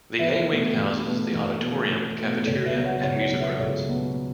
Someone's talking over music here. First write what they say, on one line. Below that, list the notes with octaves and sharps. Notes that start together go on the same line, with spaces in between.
The A-wing houses the auditorium, cafeteria and music rooms.
E2 B4 E5
B2 A3
E2
B2 A3
E2
B2 A3
E2
B2 A3
C#2 A4 C#5
B4 E5
B2 F#3
C#5 F#5
C#2 C#5 F#5
C#5 F#5
B2 F#3
B4 E5
C#2 A4 C#5
B2 F#3